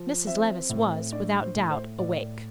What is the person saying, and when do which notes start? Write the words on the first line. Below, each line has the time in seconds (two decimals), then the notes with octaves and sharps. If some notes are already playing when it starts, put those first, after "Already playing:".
Mrs. Levice was, without doubt, awake.
Already playing: F3
0.27 C4 E5
0.70 A2
1.12 D4 D5
1.42 C5
1.55 A2
1.70 C5
1.99 A2 D5